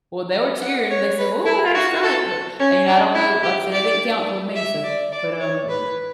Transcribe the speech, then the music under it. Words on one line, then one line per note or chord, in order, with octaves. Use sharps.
Well, they were cheering, they said, "Whoo, I got a strike," but, uh, you know, I don't know like I said, it didn't count toward me, so but, um b
F#5
C#5
B4
E4
F#4
A4
C#4
D4
E4
G4
D5
E5
D5
D5
C#5
B4